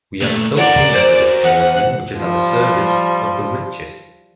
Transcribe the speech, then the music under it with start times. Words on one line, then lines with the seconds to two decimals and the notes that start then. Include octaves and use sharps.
We are still paying for this policy which is at the service of the richest.
0.22 A#2 A3
0.57 F#4 A#4 D5 F#5
0.94 C5
1.43 E2 F#5
2.18 F3 G3